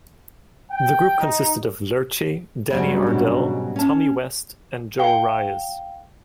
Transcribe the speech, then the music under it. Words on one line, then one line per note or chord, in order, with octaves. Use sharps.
The group consisted of Lerchey, Danny Ardell, Tommy West, and Joe Rios.
G5
D#4
D2 G2 C#3 F#3 G3 B3 F#4
G#2 B2
C#4 A5
F5 G5 G7